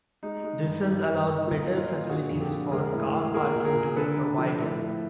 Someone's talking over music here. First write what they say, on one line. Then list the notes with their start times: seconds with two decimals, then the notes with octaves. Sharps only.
This has allowed better facilities for car parking to be provided.
0.23 G#3 D#4
0.44 G#3
0.64 G2
0.85 G2
1.06 G2
1.27 G2
1.47 A#2 D#4 F4
1.68 A#2
1.78 D#4 F4
1.89 A#2
2.09 D3 F#4 G#4
2.30 F2
2.41 G4 A4
2.51 D3
2.72 G#3 G#4 A#4
2.92 A2
3.13 G#3
3.34 A#2 G#4 A#4
3.55 A#2
3.65 G#4 A#4
3.76 A#2
3.96 D3 A4 B4
4.17 D3
4.38 F3
4.59 A2
4.79 A2